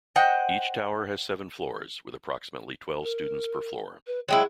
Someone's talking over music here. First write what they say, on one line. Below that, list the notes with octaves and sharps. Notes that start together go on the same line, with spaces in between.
Each tower has seven floors with approximately twelve students per floor.
C5 D#5 F#5 G5
A#4
B4
F#3 G#3 E4 G5